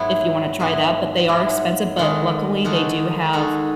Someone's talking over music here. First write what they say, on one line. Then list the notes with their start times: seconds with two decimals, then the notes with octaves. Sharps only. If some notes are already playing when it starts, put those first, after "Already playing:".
if you wanna try that, but they are expensive, but luckily, they do have,
Already playing: G#2 F#3 B3 E4
0.60 G#2 F#3 B3 E4
1.28 G#2 F#3 B3 E4
1.96 D#3 G#3 D#4 F#4 A4
2.64 D#3 G#3 D#4 F#4 A4
3.33 D#3 G#3 D#4 F#4 A4